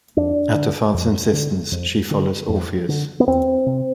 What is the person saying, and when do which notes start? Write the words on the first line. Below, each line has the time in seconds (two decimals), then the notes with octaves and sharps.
At her father's insistence, she follows Orpheus.
0.17 F2 D4
0.55 D3
0.94 F2
1.33 D3
1.72 F2
2.11 D3
2.49 F2
2.89 D3
3.20 B3
3.27 E2 C4
3.66 C3